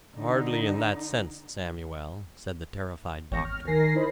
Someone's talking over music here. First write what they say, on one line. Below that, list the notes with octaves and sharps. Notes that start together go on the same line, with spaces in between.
"Hardly in that sense, Samuel," said the terrified doctor.
D3 D#4
G#1 E2 C#5 G5 C#6 A#6
F6
D#3 A#4 G#5 A#6 C7
D#4 E4 C5 D#5 B5